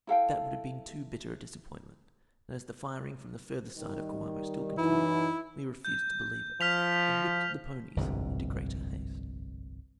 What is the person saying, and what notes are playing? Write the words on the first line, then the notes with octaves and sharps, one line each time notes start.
But that would have been too bitter a disappointment, and as the firing from the further side of Coamo still continued, we refused to believe it, and whipped the ponies into greater haste.
E4 A4 F5 G5
D#3 G3
F#2 E3 D#4 E4
G6
F3 F6 B6 F7
G1 C2 F2 G#2